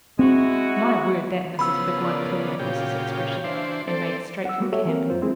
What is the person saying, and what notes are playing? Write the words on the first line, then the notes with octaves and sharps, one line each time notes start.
"My word, that missis big one coolah!" was his expression, and made straight for the camp.
G#3 C4 E4 F#4
C#3 F3 B3 B5 E6
A#4 D5
A#2 C#3 F#4 G4 C#5 F5
E3 D4 C5
C4 A4 C5 D5
F#5 E6
G3 G#3 A#3 B3 F#4
F#4 G4 A4 C#5 E5
E3 A#3 C4 A#4
F2 F#3 F4 C5
G#3 C4 E4 G#4